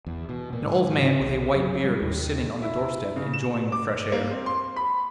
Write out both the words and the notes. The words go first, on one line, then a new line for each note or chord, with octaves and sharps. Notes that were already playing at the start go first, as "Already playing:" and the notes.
An old man with a white beard was sitting on the doorstep enjoying the fresh air.
E2
B2
A#2
G#2
C#3
B1
F#2
G3
D#2
E4
C#3
E7
D6
A#3
C4
C6
B5